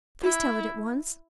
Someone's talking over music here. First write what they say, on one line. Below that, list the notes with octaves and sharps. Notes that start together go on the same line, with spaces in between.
'Please tell it at once.
E4